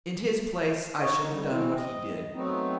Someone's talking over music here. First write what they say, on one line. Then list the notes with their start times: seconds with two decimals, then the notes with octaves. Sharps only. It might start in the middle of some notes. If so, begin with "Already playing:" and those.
In his place I should have done what he did.
0.99 D#4 C#5 D#5
1.30 D3 G3 D#4
1.45 B2 E3 C4
1.76 D#5
2.34 F#3 A3 B3 C4 D#4